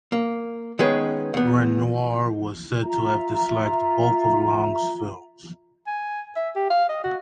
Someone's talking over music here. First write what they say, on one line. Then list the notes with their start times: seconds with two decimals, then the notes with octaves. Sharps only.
Renoir was said to have disliked both of Lang's films.
0.12 A#3
0.79 D#3 G#3 B3 C#4 G#4 B4
1.34 E2 B3
2.84 F4 E5 A#5
5.87 G#5
6.36 E5
6.56 G4
6.70 F5
6.89 D#5
7.04 F#4